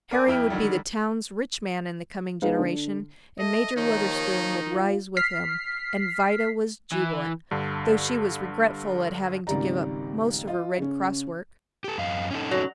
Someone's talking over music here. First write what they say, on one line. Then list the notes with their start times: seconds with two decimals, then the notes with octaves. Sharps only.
Harry would be the town's rich man in the coming generation, and Major Wutherspoon would rise with him, and Vida was jubilant, though she was regretful at having to give up most of her Red Cross work.
0.11 A#4 D5 G#5 D6
0.27 F2 E4 G5 F6
0.50 D3 D#3 F#3 G3
2.42 G#3 B3 D#4 F5
2.59 D3
3.39 A4 D#5 E5
3.76 D#2 D#3 F3 A#3 D#4 C#5
4.69 F4
5.17 F6 B6 C7
6.92 E3
7.51 G2 D3
9.47 G#1 C#2 D#3 G3 D5 A#5
10.47 F4 D#5
10.78 C#3 C#4
11.84 G4 A4
11.98 F#2 D#5 F5
12.31 C#4 D#4 A4
12.51 F#3